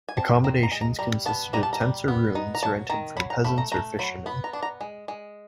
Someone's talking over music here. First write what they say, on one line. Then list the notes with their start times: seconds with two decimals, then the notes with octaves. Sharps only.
Accommodations consisted of tents or rooms rented from peasants or fishermen.
0.09 G#5
0.17 C4 A5
0.44 C4 A#5
0.63 A#5
0.72 G#3
0.81 A#5
0.99 G3 A#5
1.26 B3 A5
1.53 G3 A#5
1.63 A5
1.73 A#5
1.81 G3
2.08 B3
2.35 D#4
2.55 A#5
2.63 F#3 A5
2.90 D#3 A#5
3.17 F#3 B5
3.30 A#5
3.44 A3 B5
3.58 A#5
3.72 A3 A#5
3.99 F#3 B5
4.26 B3 B5
4.44 A#5
4.53 D4
4.63 A#5
4.81 G#3
5.08 G#3